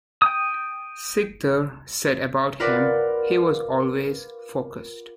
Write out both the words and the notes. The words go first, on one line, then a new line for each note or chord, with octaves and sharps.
Sikdar said about him, He was always focused.
G5 D#6
F4 A#4 B4 D5 F#5